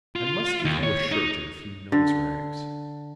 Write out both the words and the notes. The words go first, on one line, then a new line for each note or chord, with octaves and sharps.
I must give you a shirt and a few noserags.
F4
D#2
C#5
D#4
D3